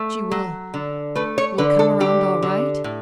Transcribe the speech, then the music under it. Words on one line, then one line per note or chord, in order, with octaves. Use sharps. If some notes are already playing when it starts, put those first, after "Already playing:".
"She will--will come around all right?"
Already playing: A3
F#3
D3
A3 B4
C#5
D3 B4
A4
D3 G4
D3
A2